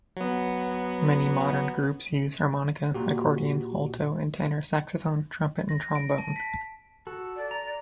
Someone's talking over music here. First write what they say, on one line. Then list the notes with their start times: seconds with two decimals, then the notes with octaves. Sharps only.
Many modern groups use harmonica, accordion, alto and tenor saxophone, trumpet and trombone.
0.17 F#3 B3
2.94 A#2 F#4 G4
5.69 A#6
5.95 D7
6.18 A5
6.36 B6
7.07 F#4 A4
7.36 D5
7.51 A#5